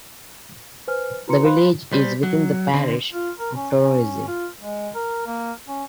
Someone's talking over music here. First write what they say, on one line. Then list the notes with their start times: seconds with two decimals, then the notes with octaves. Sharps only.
The village is within the parish of Torosay.
0.88 B4 C5 G#5 F6
1.28 E4 F#4 B4 A#5 C6 C#7
1.44 C5 F5 B5 C6 F#6
1.93 G3 C5
2.23 F#3
2.74 D3 C4
3.13 F4
3.39 A#4
3.56 C#4
3.78 C#4
4.28 F4
4.61 G#3
4.95 A#4
5.27 A#3
5.68 C#4